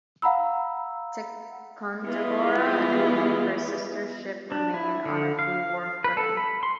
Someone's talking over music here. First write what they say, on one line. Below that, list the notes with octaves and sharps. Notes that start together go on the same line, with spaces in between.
"Ticonderoga" and her sister ships remained on a full war footing.
F5 F#5 A#5 B5 E6
E3 G3 G#3 B3 E4 F4
D4
E4
D3
F5
B4
A4
B5
C6